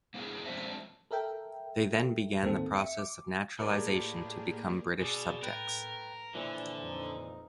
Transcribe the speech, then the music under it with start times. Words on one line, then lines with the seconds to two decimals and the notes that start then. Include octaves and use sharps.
They then began the process of naturalisation to become British subjects.
0.14 A#3 B3 E4 G#4 A#4
0.46 F3 G#3 C4 D4 C5 E5
1.11 A4 A#4 E5 G5
2.42 E2 A2 D#3 A#3 C4 A4
2.76 E5 C#7
2.99 D6
3.59 A2 A#3 G4 G#4 A#4 D5
5.01 B2 G#4 D5
5.43 A2 A#4 B4 G5 A6
6.34 A#2 D3 E3 F3 E4
6.82 F2 D#4